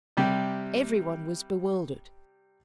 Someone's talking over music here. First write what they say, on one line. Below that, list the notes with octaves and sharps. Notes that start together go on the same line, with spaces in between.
Everybody was bewildered.
C3 G3 G4